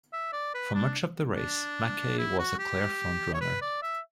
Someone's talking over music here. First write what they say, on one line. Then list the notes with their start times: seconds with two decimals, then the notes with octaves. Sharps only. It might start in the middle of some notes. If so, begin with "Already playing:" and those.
For much of the race, MacKay was the clear front-runner.
0.13 E5
0.33 D5
0.54 B4
0.74 D4
1.35 D4
2.18 E4
2.39 F#4
2.59 G4
3.34 C#5
3.41 B4
3.62 D5
3.82 E5